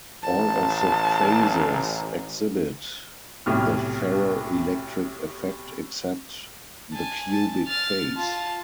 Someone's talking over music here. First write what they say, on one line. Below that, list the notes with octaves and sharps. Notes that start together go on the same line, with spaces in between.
All of the phases exhibit the ferroelectric effect except the cubic phase.
A1 A5
B1 A2 C3 F6
G#5 A5
A5
F6 A6
F4 A5